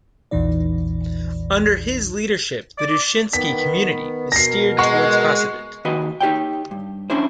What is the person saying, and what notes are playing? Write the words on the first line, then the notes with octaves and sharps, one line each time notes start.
Under his leadership the Dushinsky community was steered towards Hasidut.
A#1 E2 A#2 E3 D#4 D5
D5
D#3 B3 B6
B2 A#4 A#6 C7
G#3 F#5 C#6
D#2 F#4 B4 D#5
D#4 G4 C#5 G5
G2
C#4 D4 E4 C5